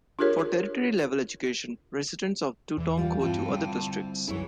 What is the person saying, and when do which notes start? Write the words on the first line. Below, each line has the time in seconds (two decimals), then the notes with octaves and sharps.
For tertiary-level education, residents of the Tutong go to other districts.
0.19 D4 F4 G4 G#4 A#4 C#5
2.78 E2 E3
2.97 G3 F4
3.21 G2 C4 E4 F4 G5 A5
3.49 D3 G3
4.28 C2 F#2 F#3 E4 G#4 B4 C#5